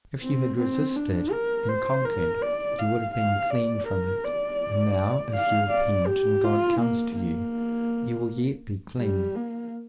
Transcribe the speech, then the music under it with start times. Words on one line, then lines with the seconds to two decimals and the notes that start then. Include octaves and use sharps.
If you had resisted and conquered, you would have been clean from it; and now, if you repent and God comes to you, you will yet be clean.
0.22 C4
0.59 C4
0.96 D4
1.32 A#4
1.69 C5
2.05 A#4
2.42 D5
2.79 F5
3.14 F5
3.51 D5
3.87 A#4
4.24 D5
5.34 F5
5.70 D5
6.07 G4
6.44 F4
6.80 A#3
7.16 A#3
8.99 G3
9.36 A#3